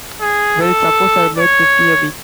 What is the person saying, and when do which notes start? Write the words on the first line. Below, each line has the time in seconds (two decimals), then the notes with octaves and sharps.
Well, suppose I made fifty a week.
0.21 G#4
0.61 A4
1.38 C#5